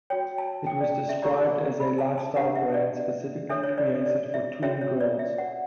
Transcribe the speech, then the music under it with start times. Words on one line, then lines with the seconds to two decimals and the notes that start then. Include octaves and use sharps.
It was described as "a lifestyle brand specifically created for tween girls".
0.10 F#4 C#5 G5
0.38 A5
0.67 G5
0.81 D5
1.09 E5
1.23 E4 G4 C#5 D5
1.51 D5
1.80 B5
1.98 A5
2.18 A5
2.36 D4 G4 B4 F#5
2.55 E5
2.74 D5
3.49 D4 A4 C#5 E5
3.64 C#5
3.78 D5
4.06 D5
4.34 E5
4.62 C#4 F#4 C#5 E5
4.81 C#5
5.00 D5
5.19 E5
5.38 F#5